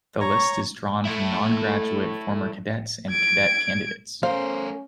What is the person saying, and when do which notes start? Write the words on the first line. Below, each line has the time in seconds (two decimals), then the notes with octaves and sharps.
The list is drawn from non-graduate former cadets and cadet candidates.
0.21 C#5 A#5 C#6
1.05 A3 E4
3.10 G#6 D7
4.23 A3 C#4 A#4 C5 F5